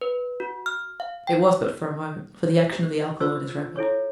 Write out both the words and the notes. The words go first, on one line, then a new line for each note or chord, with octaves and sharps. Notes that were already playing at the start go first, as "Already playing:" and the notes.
It was but for a moment, for the action of the alkaloid is rapid.
B4
F#4
F6
F5
G5
G4
F4 C5 C#6 E6
E4 A4 C#5 C#6